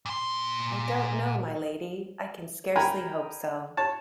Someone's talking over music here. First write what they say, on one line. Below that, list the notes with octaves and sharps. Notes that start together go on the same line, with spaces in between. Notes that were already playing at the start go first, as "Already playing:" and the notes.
I don't know, my Lady; I can scarcely hope so.
A#2 C6
A#4 G5 G#5 A#5 B5
C#5 A5